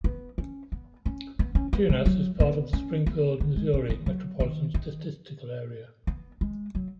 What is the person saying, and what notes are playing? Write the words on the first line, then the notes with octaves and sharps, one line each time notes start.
Tunas is part of the Springfield, Missouri Metropolitan Statistical Area.
B3
C#4
B3
C#4
B3
C#4
B3
G#3
F#3
B3
C#4
B3
B3
G#3
C#4
B3
F#3
D#3
D#3
B3
G#3
F#3